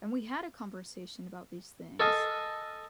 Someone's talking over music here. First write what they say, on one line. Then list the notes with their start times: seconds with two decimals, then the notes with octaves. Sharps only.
And we had a conversation about these things,
2.00 A4 D#5 F5 G#5 D#6